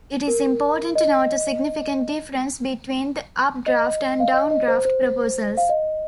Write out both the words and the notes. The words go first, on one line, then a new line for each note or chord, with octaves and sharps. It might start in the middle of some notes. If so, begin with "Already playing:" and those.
It is important to note a significant difference between the up-draft and down-draft proposals.
A#4
D#5
D#5
F5
D#5
D#5
C5
C5
F5
D#5